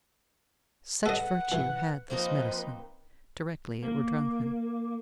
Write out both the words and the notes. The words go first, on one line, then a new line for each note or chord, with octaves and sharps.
Such virtue had this medicine, directly it were drunken.
A4 B4 D#5 F#5
E3
F3 A#3 C4 D#4 B4 C5 D#5
A#3